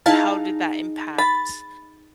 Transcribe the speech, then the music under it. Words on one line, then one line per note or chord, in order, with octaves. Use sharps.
how did that impact
D#4 E4 G#4 F5 A5
B5 A6